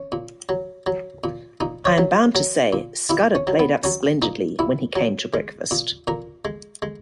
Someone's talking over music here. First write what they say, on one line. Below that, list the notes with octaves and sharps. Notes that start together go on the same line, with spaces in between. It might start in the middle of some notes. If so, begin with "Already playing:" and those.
I am bound to say Scudder played up splendidly when he came to breakfast.
Already playing: C#4
A#2
F#3
F#3
A#2
A#2 D#4
C#5
F#3
F#3
A#2
A#2 E4
C#4
F#3
B3
F#3 C#4
A#2 D#4
A#2 E4
F#3
G#3
A#2
A#2 A#4
G#3
G#3